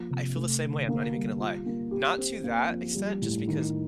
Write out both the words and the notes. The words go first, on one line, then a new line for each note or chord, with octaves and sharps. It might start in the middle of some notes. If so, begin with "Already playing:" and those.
I feel the same way, I'm not even gonna lie, not to that extent, just because
Already playing: F3 A#3
C3
A3
D3
A#3
G3
F4
A#3
G4
C4
A#3
F3
G3
A2
D#3